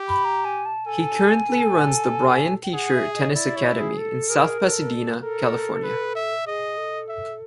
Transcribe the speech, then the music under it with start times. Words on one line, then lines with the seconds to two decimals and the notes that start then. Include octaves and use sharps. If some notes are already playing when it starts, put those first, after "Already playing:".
He currently runs the Brian Teacher Tennis Academy in South Pasadena, California.
Already playing: G4
0.09 B5
0.25 A#5
0.45 G#5
0.65 A5
0.86 A4 G#5
1.49 A4
2.63 G5
2.73 G#4 F#5
2.94 E5
3.15 D#5
3.31 C#5
3.35 E4 D5
3.56 C#5
3.76 G#4
3.98 A4
4.29 G#4 A#4
4.60 A4
5.22 A4 A#4
5.83 B4
6.15 E5
6.46 G#4 D#5
6.77 A4
7.08 E5